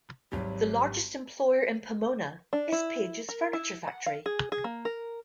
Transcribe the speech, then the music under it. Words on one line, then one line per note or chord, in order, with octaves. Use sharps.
The largest employer in Pomona is Pages Furniture Factory.
G#1 F#3 G3
D4
E4
A#4
E4
F#5
F5
G#4
G#4
A#3
A#4